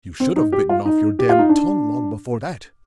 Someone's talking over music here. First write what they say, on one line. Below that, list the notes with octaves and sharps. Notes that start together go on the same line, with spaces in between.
You should've bitten off your damned tongue long before that.
C4
D#4
G4
F4
D#4
G4
F4
D#4
D4